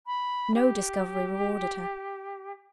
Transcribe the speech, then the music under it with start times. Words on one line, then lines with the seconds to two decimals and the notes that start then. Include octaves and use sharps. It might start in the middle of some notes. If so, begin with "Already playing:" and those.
No discovery rewarded her.
0.06 B5
0.54 G4